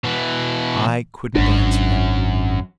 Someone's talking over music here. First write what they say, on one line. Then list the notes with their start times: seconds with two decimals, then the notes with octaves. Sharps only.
I couldn't answer him.
0.04 B2 E3
1.35 G#1 F#2 D4